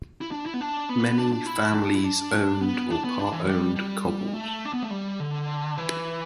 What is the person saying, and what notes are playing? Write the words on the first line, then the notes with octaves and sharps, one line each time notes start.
Many families owned or part owned cobles.
E4
D4
E4
B3
D4
B3
D4
D4
E4
D4
E4
D4
B3
D4
B3
D4
E3
G3
G3
A3
D4
B3
A3
G3
D3
E3